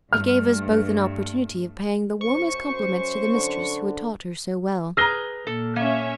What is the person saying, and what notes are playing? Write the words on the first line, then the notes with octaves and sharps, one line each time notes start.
It gave us both an opportunity of paying the warmest compliments to the mistress who had taught her so well.
G2 A3 F6
F#2 C5 C#6
D3
G#4 B4 A#5 F6 A#6 G7
A#2 A4
A#3 C#4 C#5 E5